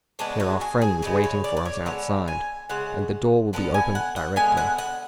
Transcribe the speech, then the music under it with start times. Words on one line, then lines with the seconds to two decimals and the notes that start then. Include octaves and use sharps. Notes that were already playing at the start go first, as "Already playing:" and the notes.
There are friends waiting for us outside, and the door will be open directly.
0.19 C#3 G#3 B3 D4
0.40 F#4
0.61 G#4
0.82 G#4
1.02 C#3 F3 G#3 B3 G#4
1.24 C#5
1.44 D5
1.57 D5
1.65 C#5
1.86 D3 G#3 B3 F#5
2.28 G#5
2.69 C#3 G#3 F#5
3.53 D3 G#3 B3 F#5
3.74 G#5
3.95 F#5
4.16 F#5
4.36 D3 G#3 B3 G#5
4.57 F#5
4.78 F#5